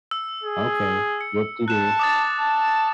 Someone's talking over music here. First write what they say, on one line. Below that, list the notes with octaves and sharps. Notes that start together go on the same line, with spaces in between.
"Okay, whoop-de-doo."
E6
G#4
C#7
A5 F#6 E7
D6 D#6 A6
A5